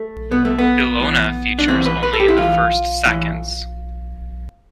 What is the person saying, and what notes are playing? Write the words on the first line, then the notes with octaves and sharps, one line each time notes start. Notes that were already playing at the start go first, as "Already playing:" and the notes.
Ilona features only in the first seconds.
Already playing: A3
B2 B3
A3
B3
A2 E3
D4
A2 E3 C4
B4
B4
A4
G4
E4
A2 E3 F4
A2 E3